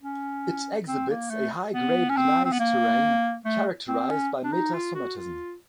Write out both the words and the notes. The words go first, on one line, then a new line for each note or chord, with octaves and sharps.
It exhibits a high grade gneiss terrane characterized by metasomatism.
C#4
C4
A#3
A3
B3
C#4
C4
C4
B3
A#3
A3
C4
C#4
D4
D#4
F4
F#4
F4